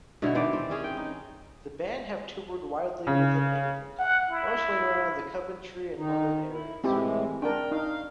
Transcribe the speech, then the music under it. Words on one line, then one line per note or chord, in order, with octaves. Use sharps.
The band have toured widely within England, mostly around the Coventry and London areas.
B2 D3 E4 C#5
D#3 E3 C5 D5
C4
C4 C#4 G#4
G5
D#4
C#3
F#5
E4
D#3 D#4
E4
A2 E3 G#3 C4 E4 G4
D4 A#4 G5
D#4 F5